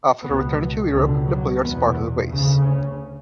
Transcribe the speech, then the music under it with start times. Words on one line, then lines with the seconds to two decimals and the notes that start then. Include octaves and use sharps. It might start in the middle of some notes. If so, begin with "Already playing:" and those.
After returning to Europe, the players parted ways.
0.22 C#2 B2 B3
0.91 C#2 B2 D3
1.26 F#3
1.60 E2 B2 B3
2.28 D2 C#3
2.62 C#4